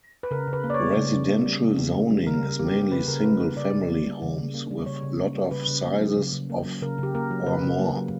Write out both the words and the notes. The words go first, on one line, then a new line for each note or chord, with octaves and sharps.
Residential zoning is mainly single family homes with lot of sizes of or more.
B4
C#3 A#4
C#3
B4
A#3
D5
C#5
G3
C#3
C#3
A#3
G3
C#3
C#3
A#3
G3
C#3 A#4
C#3
A#3 G4
G3
C#3 B4
C#3 A#4
A#3 B4
G3
C#3 D5
C#3
A#3
G3
C#3
C#3
A#3
G3
C#3 C#5
C#3
A#3
G3
C#3 B4
C#3
A#3
F#3
C#3
C#3
A#3
F#3
C#3 A#4
C#3
G4
A#3 A#4
F#3
C#3 B4
C#3
A#3
F#3